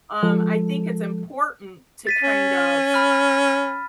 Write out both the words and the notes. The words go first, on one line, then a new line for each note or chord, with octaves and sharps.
um, I think it's important to kind of
F3 G#3 A4
A6 B6 D#7
C#4
B5 F6